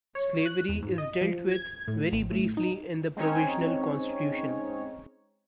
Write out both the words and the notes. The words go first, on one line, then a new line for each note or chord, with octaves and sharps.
Slavery is dealt with very briefly in the Provisional Constitution.
C#5
F#6
E2
G#2
D#5
F3
G#6
A2
A1
A2
D#4
G#3 C4 C#4 D#4 C#5